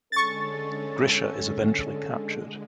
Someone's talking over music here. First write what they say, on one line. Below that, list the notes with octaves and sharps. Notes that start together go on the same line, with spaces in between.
Grischa is eventually captured.
D3 G#3 C#4 A4 C#6 A6